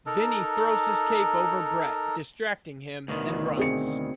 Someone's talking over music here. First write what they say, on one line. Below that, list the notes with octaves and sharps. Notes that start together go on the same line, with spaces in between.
Vinny throws his cape over Bret, distracting him, and runs.
D#4 A4 A#4
D2 B2 D#3
C4 G#4 C#7